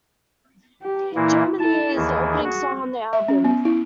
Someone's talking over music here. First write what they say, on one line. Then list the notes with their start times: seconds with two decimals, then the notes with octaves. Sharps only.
"Jam of the Year" is the opening song on the album.
0.83 G4
1.15 A#2 E3 A#3 E4
1.59 E4 A4 A5
1.95 D#2 D#3 E3 G#4
2.44 F#4
3.13 E5
3.28 C#4
3.44 B3
3.65 E4